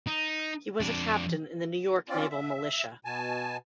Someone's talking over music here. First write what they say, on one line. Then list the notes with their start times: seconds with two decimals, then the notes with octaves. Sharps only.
He was a Captain in the New York Naval Militia.
0.07 D#4
0.81 F2 D4
2.09 C4 C#4 F4 D5
2.30 E5
3.05 B2 G#5 A5